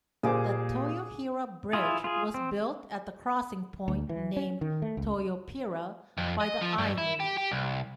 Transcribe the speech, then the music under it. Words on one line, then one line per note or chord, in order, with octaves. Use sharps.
The Toyohira Bridge was built at the crossing point named "Toyopira" by the Ainu.
A#2 A#3 G4 G#4 C5 D6
E4 F4 G#4
F4 G#4
C4
D2
E3
C#4
D#3
A3
C#2
F2
D#5
F3
G2
E4
G4
G4
C2